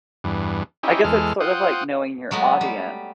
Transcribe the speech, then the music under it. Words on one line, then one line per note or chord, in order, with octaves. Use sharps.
I guess it's sort of like knowing your audience
E2 G2
C#4 D#4 E4 G4
E2 G#3 A4 F6
F4 C5 F#5 G5 D#6
F#3 G#3 A3 B3
G3